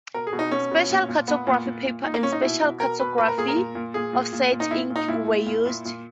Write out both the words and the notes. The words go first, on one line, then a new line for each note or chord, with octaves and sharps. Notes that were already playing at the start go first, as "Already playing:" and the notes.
Special cartographic paper and special cartographic offset ink were used.
B2 A#4
G#4
B2
D#4
B2 C#4
B2
A#2
A#2
A#2 B3
A#2
A#2
A#2
A#2 D#4
A#3
A#2 C#4
D#4
B2 E4
B2
B2 A#4
B2 B4
A#2 B4
A#4
A#2 G#4
A#4
A#2
A#2
A#2 G#4
A#2
A#2
A#2
D#4
A#2 E4
A#2
D#4
A#2 E4
A#2
A#2
A#2
A#2